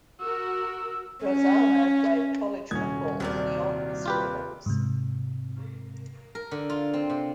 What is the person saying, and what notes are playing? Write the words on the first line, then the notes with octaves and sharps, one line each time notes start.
Razzano played college football for the Ole Miss Rebels.
F#4 A#4 E6
C#4
D#1 C2 C#4 F#4 D#6 G#6
D#2 C3 F#3 A#4 D5
F4 G4 B4
G#2 C3
A#4
D3
F4
C4
C3